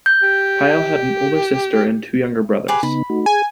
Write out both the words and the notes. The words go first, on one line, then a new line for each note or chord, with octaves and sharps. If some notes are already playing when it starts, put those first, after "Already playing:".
Pile had an older sister and two younger brothers.
G6
G4
G4 G#4 B4
C#3 B3 D#4 B5
A3 D#4 F#4
G#4 G#5